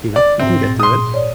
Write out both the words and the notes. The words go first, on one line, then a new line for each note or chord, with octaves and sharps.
you know, "You can get through it,"
D5
G#2 C4 E5
A#2 A6
C6 D#6
A#2
C#5 D5